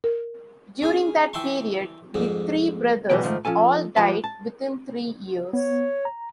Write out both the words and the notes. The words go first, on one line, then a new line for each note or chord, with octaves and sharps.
During that period, the three brothers all died within three years.
A#4
C#4 G#4 G#5
E3 E5 G5 A5 C6 C#6
F2 G#2 G3
B2 E3 F#3 G3 B3 G5
G#2 D#3 F3 A3
F3 C#4 A4 G#5
F3 G#3 G4 B4 A5
A5
B3 C#5
A#5